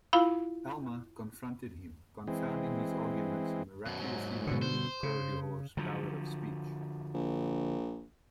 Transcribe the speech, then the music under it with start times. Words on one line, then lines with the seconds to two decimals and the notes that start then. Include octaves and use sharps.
Alma confronted him, confounding his arguments and miraculously removing Korihor's power of speech.
0.13 E4 F4 F5 B5
2.27 E3 G#3 C4
3.86 F#2 B2
4.00 G#2 F#3
4.47 B2 D3
4.62 C5
5.03 C#3
5.77 D3 F3 F#3
7.14 A#1